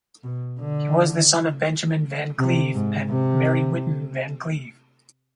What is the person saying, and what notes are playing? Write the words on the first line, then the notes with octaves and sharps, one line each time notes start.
He was the son of Benjamin Van Cleve and Mary Whitten Van Cleve.
B2
D3
C3
G#2
C3